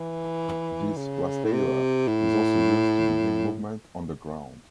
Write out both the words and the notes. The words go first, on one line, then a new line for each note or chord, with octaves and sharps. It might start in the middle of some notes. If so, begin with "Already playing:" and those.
This rasteira is also used to begin movement on the ground.
Already playing: E3
C#3
A2
C3
A2